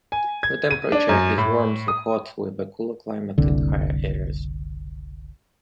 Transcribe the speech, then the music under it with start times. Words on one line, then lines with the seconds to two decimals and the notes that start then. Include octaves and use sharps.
The temperature is warm to hot, with a cooler climate in higher areas.
0.12 G#5
0.43 G#6
0.71 D#7
0.92 D4
1.09 F#2
1.38 A2
1.88 D#6
3.38 F#1 C2 D3